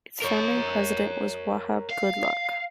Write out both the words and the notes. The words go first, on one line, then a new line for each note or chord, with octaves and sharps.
Its founding President was Wahab Goodluck.
A#4 C#5
F5